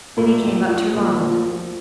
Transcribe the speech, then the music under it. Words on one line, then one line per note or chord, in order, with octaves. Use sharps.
Then he came up to Ronald.
A#2 A3
F3
F3
A#2
F3
F3